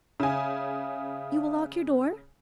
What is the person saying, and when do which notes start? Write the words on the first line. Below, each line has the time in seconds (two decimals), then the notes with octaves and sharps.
You will lock your door?'
0.20 C#3 E5 F5 G#5 D#6